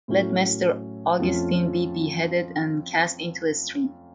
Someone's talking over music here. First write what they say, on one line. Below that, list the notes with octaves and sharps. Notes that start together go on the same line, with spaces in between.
Let Mr. Augustin be beheaded, and cast into a stream.
A2 F#3 A3 C#4 F#4
F2 F3 A3 C#4 F4